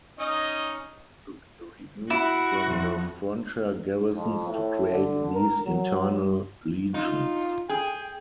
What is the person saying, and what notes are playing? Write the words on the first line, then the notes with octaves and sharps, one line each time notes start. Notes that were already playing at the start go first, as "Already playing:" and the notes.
Men had to be removed from the frontier garrisons to create these internal legions.
C#4 D#4 D#5
E4 F#4
F2
F2
A2
D3
A#4
F#3
D#4 F4
G#4 G5